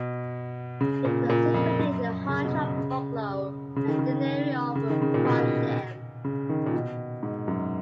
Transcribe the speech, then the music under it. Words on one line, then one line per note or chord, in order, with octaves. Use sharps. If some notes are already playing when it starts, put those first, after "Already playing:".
It was situated in the hundred of Bucklow and deanery of Frodsham.
Already playing: B2
C#3
A#2
A#2
F2
F#2
C#3
B2
C#3
C#3
C#3
D#3
C#3
C#3
D#3
C#3
A#2
B2
C#3
D#3
A#2
B2
G#2
F#2